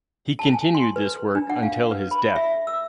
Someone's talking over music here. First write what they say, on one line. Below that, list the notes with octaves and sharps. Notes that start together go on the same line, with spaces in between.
He continued this work until his death.
A5
G#5
C6
B4
D4
F#5
F5
B4
B5
E5
E6